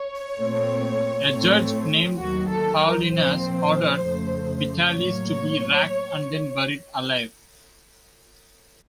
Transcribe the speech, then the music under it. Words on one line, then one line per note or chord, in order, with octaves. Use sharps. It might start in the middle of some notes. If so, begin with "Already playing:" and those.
A judge named Paulinus ordered Vitalis to be racked and then buried alive.
Already playing: C#5
A#2 A3 C4
A2 A3 C4
D#2 D#3 F#3 F#4
A4
A#4
A#2 F3 C4 C5
F2 C#3 A3
A2 F#3 A#3 C#5